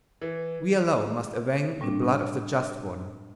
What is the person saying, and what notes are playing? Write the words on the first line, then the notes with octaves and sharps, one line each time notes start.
We alone must avenge the blood of the just one....
E3
A2 G3 C4 D4